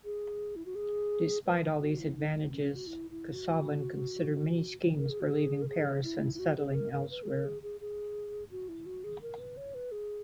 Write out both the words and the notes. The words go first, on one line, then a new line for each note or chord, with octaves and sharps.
Despite all these advantages, Casaubon considered many schemes for leaving Paris and settling elsewhere.
G#4
E4
F#4
G#4
B4
F#4
E4
D#4
C#4
F#4
E4
E4
F#4
A#4
G#4
F#4
G#4
A#4
G#4
E4
E4
F#4
G#4
A#4
A#4
B4
G#4
A#4
G#4
G#4
G#4
F#4
E4
F#4
G#4
A#4
B4
C#5
B4
G#4